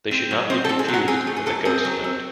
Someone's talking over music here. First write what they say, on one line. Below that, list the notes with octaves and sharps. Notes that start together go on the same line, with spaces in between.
They should not be confused with a ghost note.
C4
F#3
C4 C5
A4
C4
G#4
F#3
F#4
C4 G#4
A3
G#4
F#3 A4
C4 G#4
F#3
C4